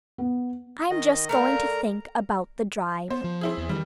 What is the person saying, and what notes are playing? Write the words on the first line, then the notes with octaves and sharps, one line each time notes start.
I'm just going to think about the drive.
B3
D#3 D#5
A3 A#4 D5 F5 A#5
B3 C5
F3
C4 E4 G#4
E2
D#3 E3 G3